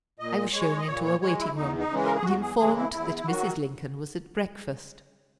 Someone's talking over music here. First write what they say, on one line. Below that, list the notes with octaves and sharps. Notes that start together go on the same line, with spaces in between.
I was shown into a waiting-room, and informed that Mrs. Lincoln was at breakfast.
A#2 D#5
G#3 C#5
D#5
A#2 C#5
C#5
G#3 C#5
E4
E2 D#4
D#4
C#3 E3 G#3
A#4
G#4
E2 F#4
G#4
C#3 E3 G#3 G#4
E4
E2 E4
E4
D#3 F#3 F#4